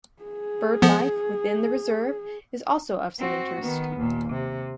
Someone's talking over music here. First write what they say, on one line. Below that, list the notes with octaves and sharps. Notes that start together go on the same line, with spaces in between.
Bird life within the reserve is also of some interest.
G#4
F3 B3
C4 F#4
D#3 B3
D#2 A#2
C3